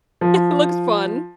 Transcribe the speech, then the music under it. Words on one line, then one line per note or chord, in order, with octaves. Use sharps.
looks fun
F3